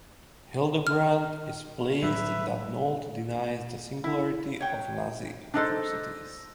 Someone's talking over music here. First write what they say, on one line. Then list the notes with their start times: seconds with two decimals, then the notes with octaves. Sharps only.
Hildebrand is pleased that Nolte denies the singularity of the Nazi atrocities.
0.87 F6
2.03 A2 F#3 G3 B4 E5
4.04 E4
4.61 C#5 F#5 G5
5.54 D4 D#4 A4 C5